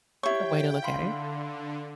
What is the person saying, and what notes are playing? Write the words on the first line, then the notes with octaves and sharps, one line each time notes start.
That's a way to look at it.
E4 G4 C#5 G5 C#6
D3 F5 B5 C6